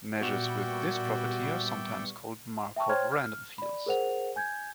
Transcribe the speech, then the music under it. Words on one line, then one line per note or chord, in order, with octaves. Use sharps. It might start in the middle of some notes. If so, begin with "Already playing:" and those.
Measures with this property are sometimes called Markov random fields.
A#2 G3 B3 F#4 D5 E5 G5 C#6
E5 G5 A5 C#6
C5 C#5 G5 C6 F6 G#6
F6
D5 B5
G#4 A#4 C5 F#5 F7
G#5 G6 G#6